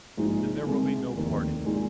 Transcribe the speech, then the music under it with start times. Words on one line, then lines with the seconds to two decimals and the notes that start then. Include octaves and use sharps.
"Then there will be no parting."
0.17 A#1 G#2 G#3 D#4
0.66 C2 C3 G#3
1.15 F1 D#2 D#3
1.64 A#2 G#3 D#4